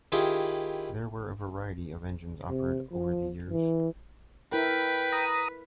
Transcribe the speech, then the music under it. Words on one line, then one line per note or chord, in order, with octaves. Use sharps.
There were a variety of engines offered over the years.
D#3 E4 F4 G4 G#4
C3
F3
E3
E4 A#4 B4 G5
A#5 D#6